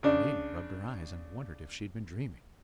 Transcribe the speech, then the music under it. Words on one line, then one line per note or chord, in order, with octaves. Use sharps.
The maiden rubbed her eyes and wondered if she had been dreaming.
C#3 D4